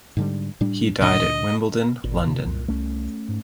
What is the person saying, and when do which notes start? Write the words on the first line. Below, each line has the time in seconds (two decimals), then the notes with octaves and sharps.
He died at Wimbledon, London.
0.17 G#2 D3 G3
0.61 A2 G3 D4
1.01 D2 A#2 D4 D#5
2.04 G#1 A#2
2.27 C3
2.45 C2
2.68 C2 A3 C#4
3.28 G#2